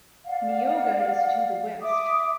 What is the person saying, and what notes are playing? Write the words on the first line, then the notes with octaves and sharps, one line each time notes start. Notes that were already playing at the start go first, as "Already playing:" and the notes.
Neoga is to the west.
D5 F5 F#5
E5 D6 D#6